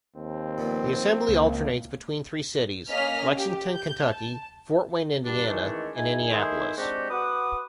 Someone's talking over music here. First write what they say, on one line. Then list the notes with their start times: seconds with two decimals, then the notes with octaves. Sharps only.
The assembly alternates between three cities: Lexington, Kentucky; Fort Wayne, Indiana, and Indianapolis.
0.16 D#2 C4
0.58 A#2 F3 B3
1.29 C#2 A#3
2.91 A#3 C#4 D#5 F5 F6 B6
3.35 G4
3.74 G6
4.07 A5
5.26 G2 D4
5.47 D#3 E3 G#3 A3 C#4 D4
5.96 D#4 E4 G#4 G#5
6.31 D#3 A3 D#4 E4 G#4 C5
6.78 G#3 C4 D4 F#4 G4
7.10 F#4 B4 F#5 D6 D#6